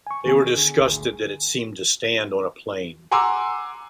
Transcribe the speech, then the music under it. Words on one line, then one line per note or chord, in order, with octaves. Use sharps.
They were disgusted that it seemed to stand on a plain.
G#5 C#6
D#3 B3 G#4 G#5
D3
G#1 D2
F#5 G#5 A#5 C6 D6 E6